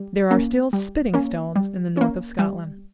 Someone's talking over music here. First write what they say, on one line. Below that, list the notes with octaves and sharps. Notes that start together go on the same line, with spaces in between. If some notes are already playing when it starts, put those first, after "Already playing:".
There are still "spitting stones" in the north of Scotland.
Already playing: G3
A#3 C#4
G3
A#3 C#4
G3
A#3 C#4
G3